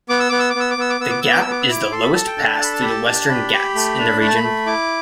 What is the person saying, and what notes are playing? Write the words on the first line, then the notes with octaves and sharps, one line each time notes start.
The gap is the lowest pass through the Western Ghats in the region.
B3 D6
E6
B3 D6
E6
D6
B3 E6
D6
B3 E6
D6
B3 E6
D6
B3 E6
D6
E6
B3 D6
E6
E4 D6
A4 C6
B5
A4 A5
G5
D4 A5
B5
A5
A4 B5
A5
G4 B5
A5
D4
G4 B5
G4
A3
D4
A3 B5
A5
B5
A3
E4 D6